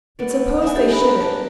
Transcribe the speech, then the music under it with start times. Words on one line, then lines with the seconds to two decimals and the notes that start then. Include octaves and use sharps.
But suppose they shouldn't?
0.19 B3 D5
0.62 E3 D4 E5 G#5
0.76 G4 A4
0.91 A#4 F#5 G5 B5
1.20 A5 D6